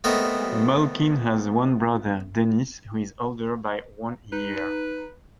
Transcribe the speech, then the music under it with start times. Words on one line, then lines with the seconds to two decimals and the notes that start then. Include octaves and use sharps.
Malkin has one brother, Denis, who is older by one year.
0.04 A3 B3 C4 A#4 D#5
4.32 D#4 B4